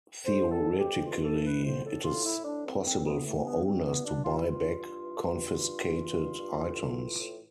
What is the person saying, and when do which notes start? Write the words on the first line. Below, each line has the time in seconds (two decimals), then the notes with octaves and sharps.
Theoretically, it is possible for owners to buy back confiscated items.
0.24 F2 C5
0.51 F2 A4
0.78 F2 G4
1.04 E3 F4
1.24 A4
1.31 E3
1.45 B4
1.58 F2
1.64 C5
1.84 A2 A4
2.04 F4
2.12 A2
2.24 E4
2.37 A2
2.45 D4
2.64 E3 C4
2.84 C4
2.91 A2
3.05 B3
3.18 E3
3.25 A3
3.44 G2 B3
3.64 C4
3.71 E3
3.84 B3
3.98 G2
4.04 D4
4.24 G2 F4
4.36 E4
4.47 G2 F4
4.78 G2
5.04 E3
5.30 G2
5.58 G2
5.84 E3
6.11 G2
6.38 G2
6.64 A2
6.91 E3
7.18 A2